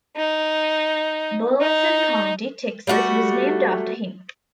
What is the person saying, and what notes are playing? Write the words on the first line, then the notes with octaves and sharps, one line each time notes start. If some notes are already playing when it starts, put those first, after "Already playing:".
Burleson County, Texas, was named after him.
D#4
D#4
G3 A3 F4 F#4